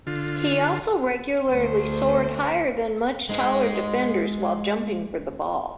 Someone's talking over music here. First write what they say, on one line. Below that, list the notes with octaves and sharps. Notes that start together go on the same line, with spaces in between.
He also regularly soared higher than much taller defenders while jumping for the ball.
D3 F4
D2 C5
G#3 D#4